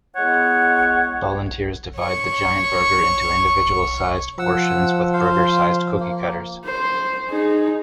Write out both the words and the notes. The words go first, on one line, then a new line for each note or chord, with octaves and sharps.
Volunteers divide the giant burger into individual sized portions with burger-sized cookie cutters.
G#3 B3 E4 C#5 F#5
C#5 C#6
F3 F#5 E6
C5 F5
A#3
C5
D#4 G#4